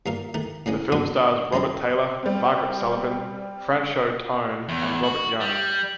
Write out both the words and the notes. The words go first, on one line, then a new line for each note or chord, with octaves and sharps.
The film stars Robert Taylor, Margaret Sullavan, Franchot Tone and Robert Young.
G2 A#2 A#4 F5
D#3 A3 A#4
A2 C#3 G#3 C#4
B1 G2 A#2 D4 F#4 D#6
F#2 C#3 F3 G3 C4
G3 C4
E2
F#4
G3